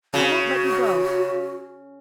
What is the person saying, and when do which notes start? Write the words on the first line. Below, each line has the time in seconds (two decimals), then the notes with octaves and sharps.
I won't let you go!
0.14 C#3 F#4